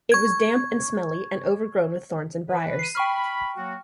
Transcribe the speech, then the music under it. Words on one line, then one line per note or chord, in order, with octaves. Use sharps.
It was damp and smelly, and over-grown with thorns and briars.
C#6 G#6
E3 B4
C7 D#7
G5 B5 C#6 F6
F#3 A#3 F#4